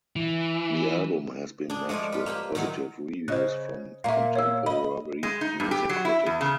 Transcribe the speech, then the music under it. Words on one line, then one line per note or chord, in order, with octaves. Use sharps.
The album has been met with positive reviews from contemporary music critics.
E3
D4 G#4
F3 G#3 A3 D5 G#5
F4 B4
A#3 C4 G4 B4
D#3 E3 F#3 G#3 D#4
C#3 C5 D#5 F#6
A#2 A#3 E5 F5
C#5 F5 E6
D#5 B5
G#3
D#4
G2
G4
F#3
E4
E2
C#3